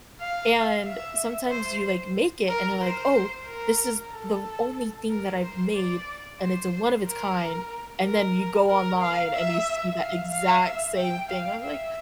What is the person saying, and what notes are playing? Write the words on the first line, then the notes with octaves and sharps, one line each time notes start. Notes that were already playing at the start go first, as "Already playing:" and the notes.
and sometimes you like make it and you're like, "Oh, this is the only thing that I've made, and it's a one of its kind," and then you go online and you see that exact same thing, I was like,
F5
E5
C5
A#4
C5
A#4
A4
A#4
C5
D5
C5
A#4
A#4
A#4
F5
E5
F5
F5
E5
G5
F5
E5